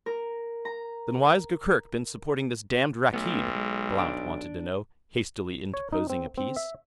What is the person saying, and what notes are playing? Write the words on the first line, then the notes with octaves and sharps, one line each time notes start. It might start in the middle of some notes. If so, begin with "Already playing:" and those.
"Then why's Gurgurk been supporting this damned Rakkeed?" Blount wanted to know, hastily interposing a piece.
A#4
A#5
B1 A3 B3
G#3
D4
C#5
D#4
C4
C4
E5